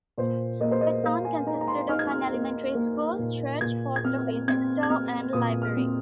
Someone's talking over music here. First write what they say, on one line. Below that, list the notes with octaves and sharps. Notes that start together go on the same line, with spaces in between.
The town consisted of an elementary school, church, post office, store, and library.
A#2 C5
A#3 D#5
C5
D#5
A#3 F5
G#5
D#4 A#5
A#5
C6
D#4 F6
G#6
F6
A#3
A#3
A#2
A#2 G#6
G#6
C4 F6
C4 G#6
G#6
C4 F6
A#2 D#6
F6
C4